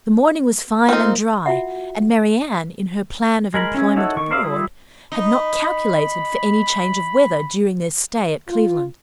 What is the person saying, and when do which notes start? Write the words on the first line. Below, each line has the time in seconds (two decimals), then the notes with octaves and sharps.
The morning was fine and dry, and Marianne, in her plan of employment abroad, had not calculated for any change of weather during their stay at Cleveland.
0.89 A#3 C4 D#4 F4
1.46 F4 F#4 E5 F#5
3.54 G#3 A#4 B5
3.74 C#4 E4 G#4
3.96 D#4 E4 F#4 A4 C#5
4.17 D#3 C#6
4.31 A#4 C5 D5 E5 F5
4.43 G3 E4 F4 D#6
5.12 D#4 B5
8.47 F4